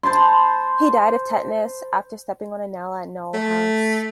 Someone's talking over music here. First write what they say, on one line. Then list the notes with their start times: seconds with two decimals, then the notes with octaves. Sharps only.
He died of tetanus after stepping on a nail at Knowle House.
0.03 C5 A5 B5 C6
3.34 A3